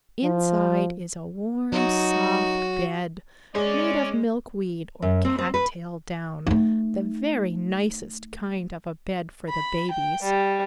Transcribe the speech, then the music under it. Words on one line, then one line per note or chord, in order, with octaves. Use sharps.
Inside is a warm, soft bed made of milkweed or cattail down, the very nicest kind of a bed for the babies.
F3
F#3 D#4 F#4
G#3 C#4 D5
F#2
C4
C4
B4
A3 D#4
B5
G5
G3